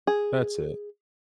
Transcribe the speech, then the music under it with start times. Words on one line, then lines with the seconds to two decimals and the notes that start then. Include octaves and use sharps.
That's it.
0.07 G#4